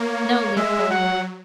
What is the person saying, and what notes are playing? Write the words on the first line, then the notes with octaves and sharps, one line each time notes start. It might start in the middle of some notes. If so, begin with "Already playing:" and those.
No, Leopold.
Already playing: A#3 C#5
G#3 E5
F#3 F#5